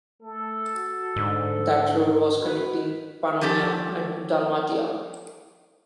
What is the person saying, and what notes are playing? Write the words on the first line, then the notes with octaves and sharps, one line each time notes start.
That road was connecting Pannonia and Dalmatia.
A3 A4
F#4
G#2 D3
F#4 B4
F3 C#4 G4 A4